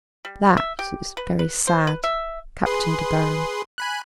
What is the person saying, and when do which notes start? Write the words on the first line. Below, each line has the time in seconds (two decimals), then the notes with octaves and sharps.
"That is very sad, Captain De Baron."
0.25 G3
0.57 E5
0.79 G4
1.17 B4
1.39 B4
1.67 C5
1.87 B4
2.04 E5
2.66 G#4 B4 C6
3.78 G#5 B5 F#6